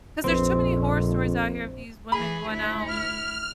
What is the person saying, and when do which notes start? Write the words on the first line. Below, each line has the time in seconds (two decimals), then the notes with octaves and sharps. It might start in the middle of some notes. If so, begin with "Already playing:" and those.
cause there's too many horror stories out here of these women going out,
0.24 A#1 F2 C4
2.12 E3 G#4 B5
2.47 D2 E4
2.86 F6